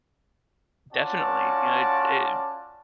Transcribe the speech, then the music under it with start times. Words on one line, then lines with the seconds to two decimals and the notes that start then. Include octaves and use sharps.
Definitely. You know, it it
0.92 C#4 F4 F#4 D5 A5